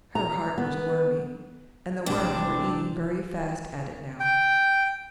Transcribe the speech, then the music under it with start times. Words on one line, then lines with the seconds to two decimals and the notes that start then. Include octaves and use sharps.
Her heart was wormy, and the worms were eating very fast at it now.
0.15 A#5
0.58 B3
2.06 A1 C3 G3 G#3 C4 D4
4.20 G5